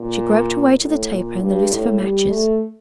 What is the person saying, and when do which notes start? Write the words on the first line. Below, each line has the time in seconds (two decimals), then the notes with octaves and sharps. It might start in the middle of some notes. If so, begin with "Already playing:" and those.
She groped her way to the taper and the lucifer matches.
Already playing: A#2
0.81 A2
1.11 A#2
1.41 G2
1.71 A2
2.01 G3
2.30 A3